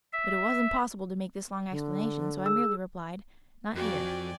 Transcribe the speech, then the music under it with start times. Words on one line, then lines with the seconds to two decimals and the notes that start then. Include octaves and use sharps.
But it was impossible to make this long explanation, so I merely replied: "Not here."
0.13 E5
1.71 D3
2.45 G#4 E6
3.75 F2 F#4 D5 G5 G#5